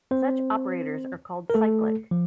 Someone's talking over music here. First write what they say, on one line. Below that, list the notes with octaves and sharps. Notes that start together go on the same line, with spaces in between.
Such operators are called cyclic.
C4 C5
A#4
A3 A4
F3